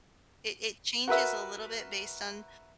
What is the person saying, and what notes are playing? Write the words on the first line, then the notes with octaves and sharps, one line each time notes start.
It it changes a little bit based on
F#4 A#4 B4 E5